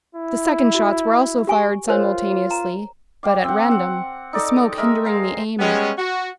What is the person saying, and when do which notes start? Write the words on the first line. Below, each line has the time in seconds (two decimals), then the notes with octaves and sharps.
The second shots were also fired simultaneously, but at random, the smoke hindering the aim.
0.15 E4
0.75 F#4
1.47 G4 G#5 C#6
1.88 F4 A#4 C5 C#5
2.51 A#5
3.23 G4 F5 D6
3.44 C4 F#5
3.71 F#5
4.33 D#4 A4 D5 D#5
4.77 G#3 A#4 D#5 E5
5.05 G#4 C5 F5 A#5
5.59 G3 G#3 B3 C#4
5.98 F#4